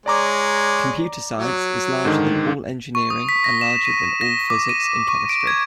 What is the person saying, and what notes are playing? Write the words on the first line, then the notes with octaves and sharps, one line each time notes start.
Computer science is larger than all engineering, and larger than all physics and chemistry.
G#3 C#5 D5 A#5 D6
F#3
G#2 D3 D#3
C#6
D#6
B6
A#6
E7
D#7
A#6
D6
D#7
C#6
D7
G#6